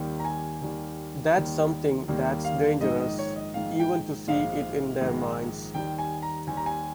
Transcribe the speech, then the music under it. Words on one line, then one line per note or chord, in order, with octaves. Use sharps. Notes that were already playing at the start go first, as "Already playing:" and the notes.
That something that's dangerous, even to see it in their minds.
Already playing: D#2 D#3 G3 A#3
A#5
G#5
D#2 D#3 G3 A#3
D#2 D#3 G3 A#3
D#2 D#3 G3 A#3
F5
A#1 G#2 D#3 G#3 D#5
D#5
C#5
D#5
A#1 G#2 D#3 G#3 F5
G5
A#1 G#2 D#3 G#3 F5
A#1 G#2 D#3 G#3
D#2 D#3 G3 G5
G#5
A#5
D#2 D#3 G3 G#5
A#5
G#5